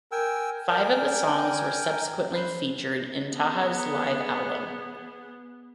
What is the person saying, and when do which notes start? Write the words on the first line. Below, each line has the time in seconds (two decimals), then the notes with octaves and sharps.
Five of the songs were subsequently featured in Taha's live album.
0.12 A#4 G5 G#5 E6
0.69 A#4 D5 G5 G#5
2.34 B4 C5
3.31 B3 G#4